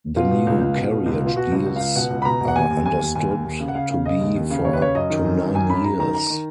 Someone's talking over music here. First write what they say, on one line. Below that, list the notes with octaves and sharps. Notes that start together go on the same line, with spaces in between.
The new carriage deals are understood to be for up to nine years.
B2 F4
B2
C#2
C#2
B2
B2
C#2
B2
F4
B2 F#4
C#2 F#4
C#2
C#2 F5
B2 F#5
C#2
B5
B2 A#5
B2
F#5
D#2 G#5
D#2
D#2 G#5
D#2
D#2 G#5
D#2
D#2
C#3
F#5
C#3 F5
C#3
C#3 D#5
D#2
D#2
C#3
D#2 C#5
B4
C#3 C#5
F#2 D#5
D#3
F#2
D#3
F#2 G#5
F#2 B5
F#2 A#5
D#3 A#5
D#3 A#5
D#3